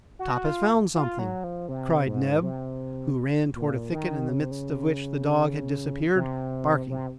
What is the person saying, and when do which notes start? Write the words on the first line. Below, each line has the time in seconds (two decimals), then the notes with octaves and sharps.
"Top has found something!" cried Neb, who ran towards a thicket, in the midst of which the dog had disappeared, barking.
0.19 F#4
0.44 F4
0.95 F4
1.19 F#3
1.44 F3
1.69 C3
2.06 G#2
2.42 C3
3.55 A#2
3.92 D#3
4.29 C#3
4.40 C3
4.51 C#3
6.15 C3
6.90 C3